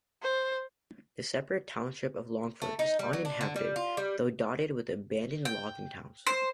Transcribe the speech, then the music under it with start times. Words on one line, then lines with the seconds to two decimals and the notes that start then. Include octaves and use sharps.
The separate township of Longford is uninhabited, though dotted with abandoned logging towns.
0.22 C5
2.62 A3
2.79 D#4
2.99 G3
3.13 F#3
3.25 D4
3.41 D3
3.56 G3
3.76 F4
3.97 G3
5.45 G5
6.27 C5